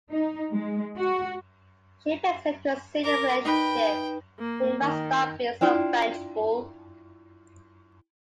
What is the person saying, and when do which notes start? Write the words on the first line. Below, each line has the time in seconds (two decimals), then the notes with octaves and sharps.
She begs him, to seal their relationship, that he must stop being so vengeful.
0.11 D#4
0.53 G#3
0.97 F#4
3.03 A#4 D6
3.45 D#4 B4 G5
4.39 A#3
4.81 D#3
5.61 D4 E4 F4 G5